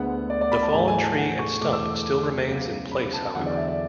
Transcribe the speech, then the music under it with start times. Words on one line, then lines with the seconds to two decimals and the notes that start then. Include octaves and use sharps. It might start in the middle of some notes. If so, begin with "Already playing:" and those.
The fallen tree and stump still remains in place however.
Already playing: D2 D3 G#3 B3 F#5
0.30 D5
0.41 D5
0.52 B5
0.63 A5
0.74 G#2 E3 A3 G#5
0.88 G#5
1.03 A5
1.18 F#5
1.39 C#6
1.61 E2 B2 A3 D6
1.72 E6
1.83 D6
1.94 D6
2.05 D6
2.48 C#2 C#3 F#3 B3
2.92 B5
3.13 A5
3.35 E2 D3 F#3 F#5
3.46 D5
3.57 E5
3.68 D5